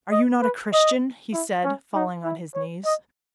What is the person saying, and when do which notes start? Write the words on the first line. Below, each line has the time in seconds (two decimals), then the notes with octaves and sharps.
"Are you not a Christian?" he said, falling on his knees.
0.11 D#5
0.42 B4
0.73 D#5
1.33 E4
1.64 C#4
1.94 D#4
2.24 E4
2.55 C#5
2.85 D#5